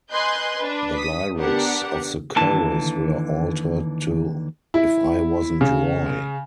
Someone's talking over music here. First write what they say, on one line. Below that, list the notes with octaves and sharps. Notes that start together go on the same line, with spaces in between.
The lyrics of the chorus were altered to "If I wasn't Roy".
B4 D#5 G#5 C6 F#6 G6
D4 B4
D#6 B6
B3 D4 G4 A#4 F#5
D#2 D3 E3 A5
E4
C#3